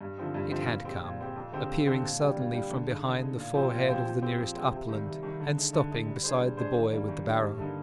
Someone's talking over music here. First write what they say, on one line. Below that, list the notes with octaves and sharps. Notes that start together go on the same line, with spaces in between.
It had come--appearing suddenly from behind the forehead of the nearest upland, and stopping beside the boy with the barrow.
G2
D3 F3 C4 D#4
G2
D3 F3 C4 D#4
A#2
G#3 C4 G4
A#2
G#3 C4 G4
F2
D3 G#3 C4 G4
F2
D3 G#3 C4 G4
A#2
G3 D4 G4
A#2
G3 D4 G4
D3
G#3 D#4
D3
G#3 D#4
A#2
F3 C4 G4 C5
A#2
F3 C4 G4 C5
F3
G#3 C4 G4
F3
G#3 C4 G4
C3
D#3 G3
C3
D#3 G3
D3
G#3 D#4
D3
G#3 D#4
G3
D4 G#4 C5
G3
D4 G#4 C5
D#3
G3 A#3 D4
D#3
G3 A#3 D4
G2
D3 G3 A#3 D#4